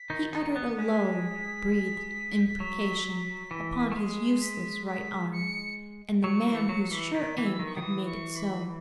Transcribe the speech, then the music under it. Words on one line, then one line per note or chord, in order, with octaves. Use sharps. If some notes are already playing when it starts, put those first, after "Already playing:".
He uttered a low, breathed imprecation upon his useless right arm, and the man whose sure aim had made it so.
Already playing: B6
D#3 D#4
D#3 D#4 C#7
B3
G#3 B6
F#3
E3
A3
G#3
B6
B6
C#7
F#3 C#7
E3
C#7
F#3
C#7
E3 B6
C#7
D#3 B6
E3
E6
D#3
C#6
D#3 D#6
E3
C#6
B5